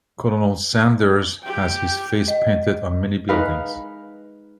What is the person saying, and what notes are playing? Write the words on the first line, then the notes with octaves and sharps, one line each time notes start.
Colonel sanders has his face painted on many buildings.
G4 G5
D#5
G#3 D#4 B4 F5